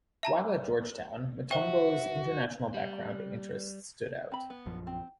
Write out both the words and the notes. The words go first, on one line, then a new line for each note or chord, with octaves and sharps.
While at Georgetown, Mutombo's international background and interests stood out.
E5 A5 A#5
F#4 C5 E5 G5
G3
C4 B5
B3
A#1 F#2 F3
C4